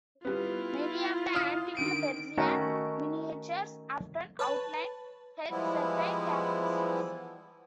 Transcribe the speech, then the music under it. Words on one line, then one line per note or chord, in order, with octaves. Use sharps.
Many of the antique Persian miniatures often outlined her certain characteristics.
G3 B3 E4 F4
F5 D#6 F6
D3 D#3 D7 D#7
D#3 A3 C#4 F#4 A4
B4 C#5 A5
E3 F3 G3 G#3 B3 E4